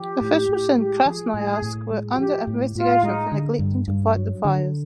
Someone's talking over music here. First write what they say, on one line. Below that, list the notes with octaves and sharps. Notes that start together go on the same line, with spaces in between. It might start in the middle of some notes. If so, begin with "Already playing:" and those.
Officials in Krasnoyarsk were under investigation for neglecting to fight the fires.
Already playing: F3 G4
A2
A2
G#3 G4
F3 G#4
A2 G#4
A2
G#3
F#4
F3 G4
A2
A2 F4
G#3 D#4
D3
G2
G2
F#3
D3